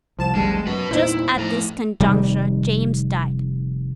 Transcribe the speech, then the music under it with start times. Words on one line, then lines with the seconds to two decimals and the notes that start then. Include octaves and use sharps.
Just at this conjuncture James died.
0.19 C2 F3 A5 E7
0.35 G#1 D2 G3 G#3
0.67 F#2 F#4 B4
0.91 E2 A#2 D#4 E4 C5
1.36 F2 A2 D4 A#5
2.00 F1 D#3 G3